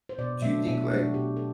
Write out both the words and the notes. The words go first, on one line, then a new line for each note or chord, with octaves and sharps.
do you think like
C5
B2 D5
F#3 A3 D4 E5
B2 E5
F#3 A3 D4 F#4
B2 G4
A4